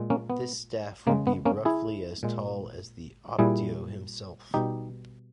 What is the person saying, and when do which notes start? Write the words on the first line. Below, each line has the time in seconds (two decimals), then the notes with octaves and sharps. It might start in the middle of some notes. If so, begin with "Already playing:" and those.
This staff would be roughly as tall as the "optio" himself.
Already playing: A#2 G#3
0.10 A#3 C#4
0.30 B3
1.07 C#3 G#3 A#3
1.27 B3
1.45 A#3 C#4
1.65 E4 G#4
2.23 A#2 G#3
3.39 A#2 G3 E4 G#4
4.54 B2 G3 D#4 G4